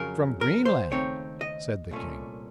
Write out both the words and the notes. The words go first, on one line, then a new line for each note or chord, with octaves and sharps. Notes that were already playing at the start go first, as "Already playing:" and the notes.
"From Greenland!" said the king.
Already playing: F2 C#3 F#3 A#4
A#4
C5
D#2 C#3 A3 C4 D#4 C#5
D#5
C2 A#2 A3 C#4